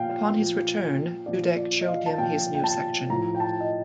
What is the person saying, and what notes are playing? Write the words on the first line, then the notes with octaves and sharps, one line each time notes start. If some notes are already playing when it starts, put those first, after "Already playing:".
Upon his return, Dudek showed him his new section.
Already playing: A#2 F3 F5 G5
A#2 F3
A#2 F3 D5
D5
D#5
F5
A5
A#2 F3 G5
G5
A5
A2 F3 A#5
G5
A5
D#5